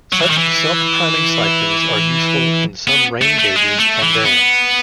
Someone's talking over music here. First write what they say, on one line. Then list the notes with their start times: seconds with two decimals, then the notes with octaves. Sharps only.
Such self-priming siphons are useful in some rain gauges and dams.
0.12 F#3
0.21 E3
0.30 D#3
0.38 E3
2.88 B3
3.22 A3
3.39 A3
3.57 G#3
3.79 A3
4.02 E3
4.26 B3